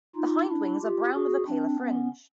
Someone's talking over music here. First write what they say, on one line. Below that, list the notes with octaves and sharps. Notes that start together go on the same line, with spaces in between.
The hindwings are brown with a paler fringe.
D#4 F4
D4 E4
F4 G4
F#4 G#4
C4 D4
B3 C#4